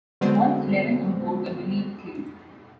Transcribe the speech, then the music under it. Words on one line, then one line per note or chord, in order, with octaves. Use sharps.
All eleven on board were believed killed.
D3 F#3 G#3 B3 C4